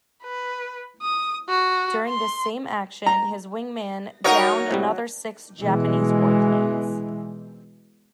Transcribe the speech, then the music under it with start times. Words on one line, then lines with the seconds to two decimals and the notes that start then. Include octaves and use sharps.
During this same action, his wingman downed another six Japanese warplanes.
0.23 B4
1.02 D#6
1.49 F#4
2.08 C6
3.06 A#5
4.24 F#3 D#4 F#4 A#4 C#5 D#5 F5 D#6
4.71 A2 C3 G3
5.60 B2 E3 G#3